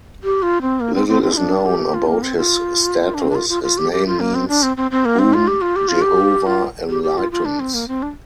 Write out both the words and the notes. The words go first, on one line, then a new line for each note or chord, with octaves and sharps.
Little is known about his status; his name means: 'whom Jehovah enlightens'.
G4
F4
C4
A#3
C4
C4
C4
F4
D4
G4
F4
A#3
C4
F4
D4
C4
D4
F4
F4
F4
G4
G4
F4
A#3
C4
D4
C4
C4
C4
A#3
C4
F4
G4
F4
G4
F4
G4
F4
G4
G4
F4
F4
D4
C4
A#3
C4
D4